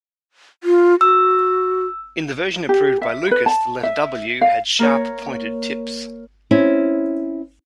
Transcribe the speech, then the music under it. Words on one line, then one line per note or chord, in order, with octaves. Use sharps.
In the version approved by Lucas, the letter "W" had sharp, pointed tips.
F4
F#4 E6
G4
E5
B4
A5
E5
F5
A#3 A#4 C#5
C4 C#4 E4